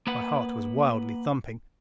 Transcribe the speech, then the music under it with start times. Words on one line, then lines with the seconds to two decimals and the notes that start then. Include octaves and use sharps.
My heart was wildly thumping.
0.07 A#3 B4 F#5